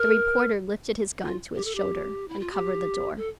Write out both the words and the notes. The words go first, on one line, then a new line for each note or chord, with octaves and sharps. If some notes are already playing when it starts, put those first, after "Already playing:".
The reporter lifted his gun to his shoulder and covered the door.
Already playing: A#4
F4
G4
A4
G4
E4
F4
G4
A4